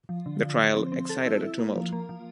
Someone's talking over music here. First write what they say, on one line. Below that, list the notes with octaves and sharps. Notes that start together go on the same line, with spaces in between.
The trial excited a tumult.
F3
D3
F3
F3
C4
C4
A4
E4
E4
A#3
F3
A#3
F3